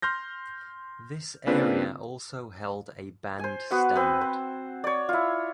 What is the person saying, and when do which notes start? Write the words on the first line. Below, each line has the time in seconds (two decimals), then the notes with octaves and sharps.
This area also held a band stand.
0.02 C6 F6 G6 A#6
1.47 C#3 A#3 C4 D4 F4 B4
3.39 C5 G#5
3.71 B3 F#4 B4 F#5
3.96 C4 B4
4.21 C5
4.84 C#5 D5
5.09 E4 F4